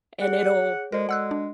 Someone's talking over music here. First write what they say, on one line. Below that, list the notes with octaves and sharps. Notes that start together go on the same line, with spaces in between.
and it'll
G#4 C#5 F#5
G#3 F#4 A4 A#4 C5 D5
G#3 F#5 E6 F#6
D4